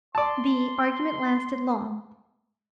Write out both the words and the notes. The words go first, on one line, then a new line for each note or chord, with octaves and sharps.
The argument lasted long.
D5 A5 C6